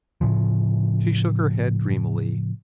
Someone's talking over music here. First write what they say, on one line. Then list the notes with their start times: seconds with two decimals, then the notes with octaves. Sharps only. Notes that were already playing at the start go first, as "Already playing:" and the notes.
She shook her head dreamily.
0.21 A2 C#3 F3